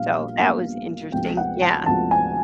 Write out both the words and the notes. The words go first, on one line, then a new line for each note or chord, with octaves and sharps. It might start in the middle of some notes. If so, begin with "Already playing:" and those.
So that was interesting, yeah.
Already playing: A#1 A#2 G3 B3 F5
A#1 A#2 G3 B3
D2 C3 F3 G#3 B3 G5
F#5
A5
D2 C3 F3 G#3 B3 A5
G#5